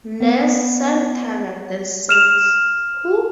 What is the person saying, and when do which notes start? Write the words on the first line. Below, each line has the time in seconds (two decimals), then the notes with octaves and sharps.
Nurse Sam Taggart then says, Who?
0.20 B3
2.09 F6 E7 F7